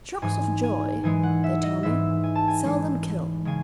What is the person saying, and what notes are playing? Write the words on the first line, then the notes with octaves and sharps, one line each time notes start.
Shocks of joy, they tell me, seldom kill.
G#2 E3 G#3 G#5
G#5
G#2 E3 G#3 G#5
F#5
E5
D#5
G#2 E3 G#3 E5
G#5
A5
G#5
G#2 E3 G#3
C#3 G#3 G#5